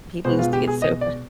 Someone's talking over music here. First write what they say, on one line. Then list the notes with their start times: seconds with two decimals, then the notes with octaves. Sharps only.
People used to get so frust
0.25 B2 G#3 B3 C5
0.39 F4
0.53 G4
0.68 G#4
0.82 D#5
1.01 D5